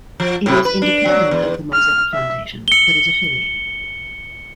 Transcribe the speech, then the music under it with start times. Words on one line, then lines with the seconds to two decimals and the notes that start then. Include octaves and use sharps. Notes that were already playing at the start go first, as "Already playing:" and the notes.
It is independent of the Mozilla Foundation, but is affiliated with them.
0.20 F3
0.46 A2 C3
0.65 B4
0.82 D4
1.06 F#3 D4
1.31 E2
1.73 F6
2.13 E5
2.68 C#7 G7